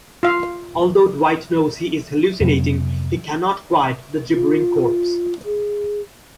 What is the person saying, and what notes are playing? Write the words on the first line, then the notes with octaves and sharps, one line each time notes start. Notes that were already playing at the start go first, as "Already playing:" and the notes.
Although Dwight knows he is hallucinating, he cannot quiet the gibbering corpse.
F4 F5
F2 C3 F#3 B3
F4
G#4